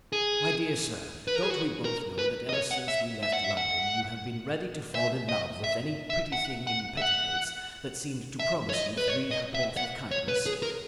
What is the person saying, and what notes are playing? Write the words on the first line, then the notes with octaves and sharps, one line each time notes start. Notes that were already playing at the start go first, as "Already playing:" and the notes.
My dear sir, don't we both know that ever since we left London you have been ready to fall in love with any pretty thing in petticoats that seemed to promise you three ha'porth of kindness.
G#4
B4
A#4
G#4
F#4
A#4
B4
D#5
C#5
F#5
E5
E5
F#5
E5
F#5
E5
D#5
E5
E5
F#5
F#5
E5
F#5
E5
C#5
D#5
B4
C#5
D#5
E5
F#5
C#5
B4
G#4
A#4